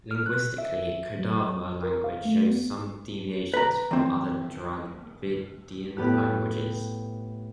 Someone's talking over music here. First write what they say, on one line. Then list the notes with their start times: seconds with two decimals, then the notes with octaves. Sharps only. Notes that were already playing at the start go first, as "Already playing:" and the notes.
Linguistically, Kodava language shows some deviations from other Dravidian languages.
0.11 F6
0.26 F#6
0.58 E5
1.19 F#3
1.83 A#4
2.04 F5
2.25 A3
2.50 B3
3.54 B4 A#5
3.91 E3 C4
5.97 A2 B3 G4 F#6